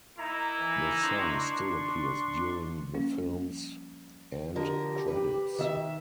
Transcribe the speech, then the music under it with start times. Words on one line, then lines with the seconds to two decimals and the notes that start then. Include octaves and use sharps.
The song still appears during the films end credits.
0.19 A#3 D#4 E4 A#5
0.59 E3
1.03 D4 C6 C#6
2.94 F3 G3 A#3 C#4
4.56 D3 F3 G4 A#4
5.08 B4
5.59 D#3 E5